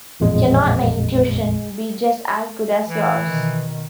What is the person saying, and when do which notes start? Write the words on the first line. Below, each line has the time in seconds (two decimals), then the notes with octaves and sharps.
Cannot my intuition be just as good as yours?
0.20 A1 F2 A#2 G#3
2.89 E3
3.26 B2 D#3